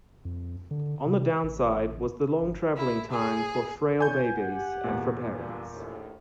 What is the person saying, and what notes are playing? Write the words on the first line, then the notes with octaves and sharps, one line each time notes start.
On the downside was the long travelling time for frail babies and for parents.
F2
D3
C3
A1
G#1
E4
G#4
E3 F4 C#5 G#5 G6
G4 F#5
E2 A#2
G2 D3 F4
A#1 D#2 A2